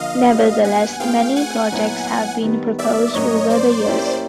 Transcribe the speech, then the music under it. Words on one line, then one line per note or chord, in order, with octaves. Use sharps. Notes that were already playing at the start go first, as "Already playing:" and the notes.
Nevertheless, many projects have been proposed over the years.
Already playing: D3 F3 A#3 D#5 F5
A#2 G3 B3 D4 F#4
F#5 G#5
A3 C4 F4 G#4 B4 F5 G5
F#5 G#5
A#2 F#3 B3 E4
D#3 G3 B3
D5 E5
A2 F#3 A#3 C#4 C#5 D#5
C5 D5
A#3 C#4 E4 G4